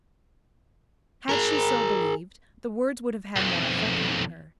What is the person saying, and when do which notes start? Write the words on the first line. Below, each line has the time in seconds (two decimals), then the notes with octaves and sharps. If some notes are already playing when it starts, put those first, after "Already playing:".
Had she so believed, the words would have had more effect on her.
1.29 G#4 A#4
3.36 B1 F2